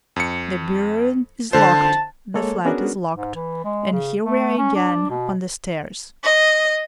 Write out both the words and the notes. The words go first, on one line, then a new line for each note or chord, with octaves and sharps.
The bureau is locked, the flat is locked, and here we are again on the stairs.
F2 C#7
D3 C5 A5
G#3 A#3 A4 C#5
B3 C#4 D4 F#4 G#4 A#4
G#2
E3
G#3
C#3
A3
C#4
D4
B2
D#5